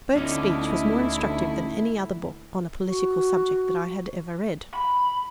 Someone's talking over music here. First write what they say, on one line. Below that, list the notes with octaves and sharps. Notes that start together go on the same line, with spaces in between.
Burke's speech was more instructive than any other book on a political subject that I had ever read.
D2 C#4 D#4 E4
F#4
B5